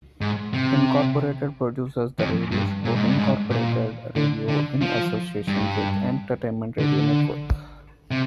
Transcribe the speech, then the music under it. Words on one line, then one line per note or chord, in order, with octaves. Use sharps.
Incorporated produces the radio show "Incorporated Radio" in association with Entertainment Radio Network.
G#2
C3
F2
G2
A#2
G#2
G2
G#2
A#2
D3
D3
F3
G2
D3
C3